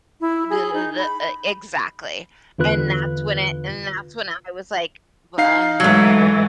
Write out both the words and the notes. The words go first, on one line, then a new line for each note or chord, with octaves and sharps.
E exactly. And that's when it and that's when I was, like, "Bleh."
E4
G#4
D#4
B5
E2 D3 F4 B4 F#6
D#4 F5 C7
G#2 E3 F#3 A3